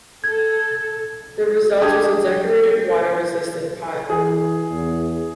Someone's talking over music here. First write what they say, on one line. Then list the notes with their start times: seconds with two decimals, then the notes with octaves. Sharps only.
The result was a decorated water resistant pot.
0.24 A4 G#6
1.81 D4 G4 G#4 G#5
4.10 E3 G#4
4.71 E2